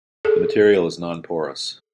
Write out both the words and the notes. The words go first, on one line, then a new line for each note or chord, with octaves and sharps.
The material is non-porous.
G#4 A4